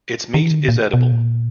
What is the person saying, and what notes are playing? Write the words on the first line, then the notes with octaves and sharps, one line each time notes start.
Its meat is edible.
D#3
E3
D#3
D3
A#2
B2
A#2